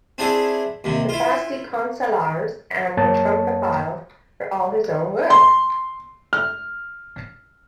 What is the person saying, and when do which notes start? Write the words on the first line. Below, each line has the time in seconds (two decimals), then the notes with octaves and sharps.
The "Fasti Consulares" and "Triumphales" were all his own work.
0.18 C4 D4 E4 G#4
0.84 D#2 C3
1.09 E4 F4
2.97 F#2 A#3 C#5 A5
5.30 C6
6.33 F6